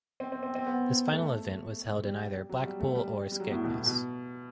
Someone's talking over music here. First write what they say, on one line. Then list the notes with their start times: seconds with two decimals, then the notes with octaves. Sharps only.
This final event was held in either Blackpool or Skegness.
0.20 C4
0.32 C4
0.43 C4
0.55 C4
0.67 B3
1.12 A3
2.03 G3
2.49 F#3
2.64 G3
2.80 A3
2.95 G3
3.32 G3
3.40 F#3
3.51 A2
3.64 B2
3.75 A2
3.86 B2